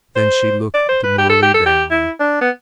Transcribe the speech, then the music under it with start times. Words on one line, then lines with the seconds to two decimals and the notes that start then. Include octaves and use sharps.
Then she looked demurely down.
0.16 C5
0.74 D5
0.89 C5
1.04 B4
1.18 G4
1.30 A4
1.43 G4
1.54 A4
1.66 G4
1.91 E4
2.20 D4
2.41 B3